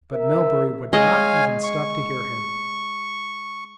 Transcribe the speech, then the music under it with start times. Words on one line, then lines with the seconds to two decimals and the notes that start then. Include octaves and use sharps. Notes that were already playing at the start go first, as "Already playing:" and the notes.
But Melbury would not even stop to hear him.
0.13 A#4 E5
0.93 G#3 C#5 D#5 F5 G#5
1.64 C#6